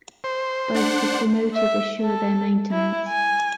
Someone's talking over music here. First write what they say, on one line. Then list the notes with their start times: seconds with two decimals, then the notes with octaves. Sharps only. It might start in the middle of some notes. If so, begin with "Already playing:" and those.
Both the promoted assure their maintenance.
0.24 C5
0.74 D4 F#5
1.54 E5
2.02 A4
2.71 E4
3.09 G#5